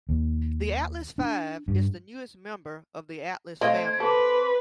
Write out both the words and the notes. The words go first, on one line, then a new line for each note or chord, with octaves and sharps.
The Atlas Five is the newest member of the Atlas family.
D#2
D4
G2
A3 C4 D#5 F5 G#6
A4 B4 D6